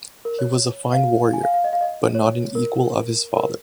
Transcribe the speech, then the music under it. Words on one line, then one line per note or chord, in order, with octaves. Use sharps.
He was a fine warrior but not an equal of his father.
A#4
C#5
F5
G#5
F5
F5
D#5
F5
D#5
C#5
A#4
A#4